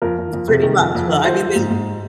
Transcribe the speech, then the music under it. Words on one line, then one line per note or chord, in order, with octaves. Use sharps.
M pretty much. Well, I mean they
F2 A#4
F2
F2
C3
D#3
F2
F2
D#3
F3 C5
F3
G#2
G#2